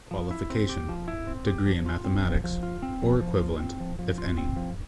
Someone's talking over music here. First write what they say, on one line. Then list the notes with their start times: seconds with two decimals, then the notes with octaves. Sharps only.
Qualification: Degree in Mathematics, or equivalent, if any.
0.11 F3
0.31 E4
0.50 C4
0.69 G4
0.89 F3
1.08 E4
1.27 C4
1.47 G4
1.66 F3
1.86 F4
2.04 C4
2.24 F3
2.44 F3
2.63 F4
2.83 C4
3.02 F3
3.21 F3
3.41 F4
3.60 C4
3.80 F3
3.99 F3
4.18 F4
4.38 C4
4.56 F3